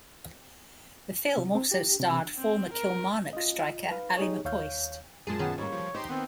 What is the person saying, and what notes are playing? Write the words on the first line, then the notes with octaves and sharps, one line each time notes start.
The film also starred former Kilmarnock striker Ally McCoist.
C3
C4
G4
C3
C4
A#4
F4 D#5
B4 F5
D#4 G4 G#4 C#5
D#2 C#5 F5 G6
F#2 A#2 G#3 G#4 A5
D#3 B3 C#4 G#4
G#2 G3 A#3 C#5
F3
D#4 G4 C5 C6
D#3 B3 C4